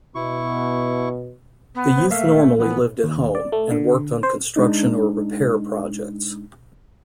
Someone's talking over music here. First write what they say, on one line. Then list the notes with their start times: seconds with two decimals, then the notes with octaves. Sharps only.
The youth normally lived at home, and worked on construction or repair projects.
0.15 B2 E4 C#6
1.75 B3
1.98 C5
2.10 A3 A#3 E5 F5
2.58 A#1 E3 B3
3.04 D#2
3.35 D5
3.52 A3
3.71 D3
4.23 C5
4.56 G#3 D4 D#4